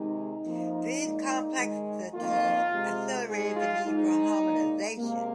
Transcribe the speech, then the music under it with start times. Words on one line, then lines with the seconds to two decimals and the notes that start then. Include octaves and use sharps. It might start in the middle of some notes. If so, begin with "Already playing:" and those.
These complexities accelerated the need for harmonization.
Already playing: C3 D#3 G#3 D#4
0.44 F2 F3 A#3
1.01 A#2 G#3
1.58 G#2 D#3 G#3
2.14 F2 D#3 A#3 F4
2.71 C3 G#3
3.27 G#2 G#3 G#4
3.56 F4
3.84 G#2 G#3 D#4
4.41 A#2 G#3
4.98 C3 G#3 A#3